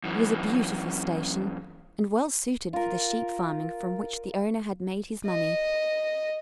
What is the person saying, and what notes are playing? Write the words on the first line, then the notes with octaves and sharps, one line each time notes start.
It was a beautiful station and well suited for the sheep farming from which the owner had made his money.
F#2 E3
F4 A#4
D#5